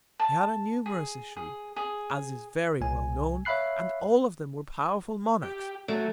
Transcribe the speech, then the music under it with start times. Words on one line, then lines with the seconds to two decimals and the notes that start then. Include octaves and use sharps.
He had a numerous Issue, as is very well known, and all of them were powerful Monarchs.
0.20 A5
0.86 G#4
1.36 G#4
1.76 G#4
2.80 C2 G#5
3.45 C#5 E5 F5 B5 F#6 C7
5.43 G4
5.88 F#3 A3